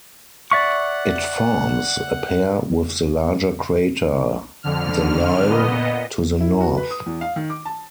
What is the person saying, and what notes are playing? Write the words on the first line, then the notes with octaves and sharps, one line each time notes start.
It forms a pair with the larger crater Delisle to the north.
D5 E5 F#5 C#6
F2 D3 F6
A#2 B3 D#5
E4
F#4
B4
D#6
E2
F5
D#3
D6
A5